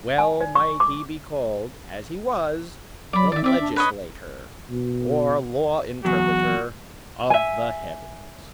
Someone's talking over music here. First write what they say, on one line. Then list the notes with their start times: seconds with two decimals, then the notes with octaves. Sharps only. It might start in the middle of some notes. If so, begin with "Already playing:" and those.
Well might he be called, as he was, "the legislator," or law interpreter, "of the heavens."
0.18 G#5
0.41 D5
0.55 C#6
0.80 D6
3.13 F#3 D5 B5
3.32 D#3 D5 E5
3.44 C4 D5 E5 D6
3.60 D4
3.76 B4 C#5 D#5
4.71 B2
6.05 E2 F#3 F#4
7.30 E5 G#5